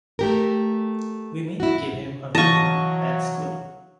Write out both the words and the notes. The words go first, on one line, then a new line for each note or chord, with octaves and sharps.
We mean to give him a good home and schooling.
A3 G4 A#4
E4 F#4
E3 F#3 D#5 F5 A5 C#6